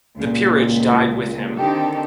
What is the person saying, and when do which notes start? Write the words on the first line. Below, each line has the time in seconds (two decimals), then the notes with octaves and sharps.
The peerage died with him.
0.16 C#2 A#2
1.58 D3 D#3 C4 D#4 G4 A4